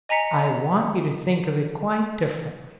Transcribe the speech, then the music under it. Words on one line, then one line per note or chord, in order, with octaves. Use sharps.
I want you to think of it quite differently.
D#5 G#5 A#5 B6 C#7